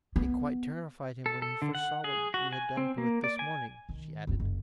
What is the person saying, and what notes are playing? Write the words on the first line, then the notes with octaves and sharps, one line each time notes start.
"It quite terrified him when he first saw what you had done to it this morning," she added.
B3
A4
A4
D3
F#5
G#4
F#4
G#5
C4
A#3
D5
G#5
D#3
F#1 C#2
F#1